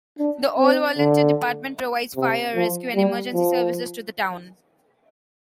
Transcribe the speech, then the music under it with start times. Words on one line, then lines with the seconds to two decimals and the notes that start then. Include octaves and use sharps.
The all-volunteer department provides fire, rescue, and emergency services to the town.
0.18 D4
0.58 C4
0.97 D3
2.16 C3
2.55 F3
2.95 G3
3.34 F3